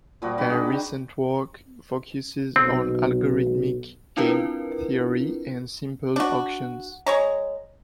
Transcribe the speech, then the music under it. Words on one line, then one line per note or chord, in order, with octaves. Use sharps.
Her recent work focuses on algorithmic game theory and simple auctions.
A#2 F3 G3 F#4
D4 F#4 G5 B5
D4 D#4 G#4
F#5 G5
B1 B2 C4
C4 D4 E4 F4 A#4 B4
D4 F#4
G#3 C#5 A#5